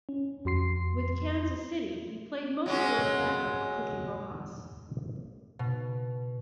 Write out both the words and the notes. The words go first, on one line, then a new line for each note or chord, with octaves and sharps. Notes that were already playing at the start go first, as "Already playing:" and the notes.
With Kansas City, he played mostly as a backup for Cookie Rojas.
C#4
F2 F#4 C6 C7
F#3 G#3 C#4
B2